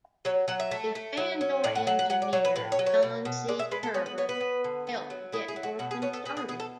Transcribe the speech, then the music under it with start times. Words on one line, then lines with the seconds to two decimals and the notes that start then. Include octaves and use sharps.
A Fandor engineer, John C. Koerber, helped to get Dorfan started.
0.25 F#3 C#5
0.48 F#3 F#5
0.60 E5
0.71 A3
0.95 A3
1.17 F#3
1.41 C#4
1.64 A2 D5
1.75 F#5
1.87 F#3 F#5
1.99 F#5
2.10 F#3 F#5
2.22 D5
2.33 F#3 C#5
2.45 B4
2.56 A2 B4
2.72 C#5
2.79 F#3
2.86 C#5
3.02 B2
3.25 B2
3.48 G#3 D5
3.59 E5
3.71 G#3 B4
3.83 A4
3.94 B3 C#5
4.06 B4
4.18 B3 C#5
4.29 B4
4.40 B3
4.64 D3
4.87 B3
5.10 F#3
5.32 E4 G#4
5.48 G#4
5.56 F#3
5.63 F#4
5.79 B2 F#4
5.91 G#4
6.02 B3 C#5
6.13 A4
6.25 B3 G#4
6.37 G#4
6.48 B2 G#4
6.60 A4